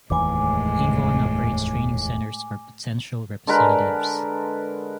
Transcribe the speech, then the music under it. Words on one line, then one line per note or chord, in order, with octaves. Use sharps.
Avon operates training centers for potential representatives.
F1 D#2 A2 E3 G#3 G#5 D6
D3 G#3 A#4 B4